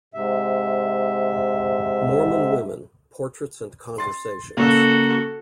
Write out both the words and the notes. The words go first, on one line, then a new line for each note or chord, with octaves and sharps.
Mormon Women: Portraits and Conversations.
G#2 C3 E5
C6 A6
C#3 A#3 F#4 A4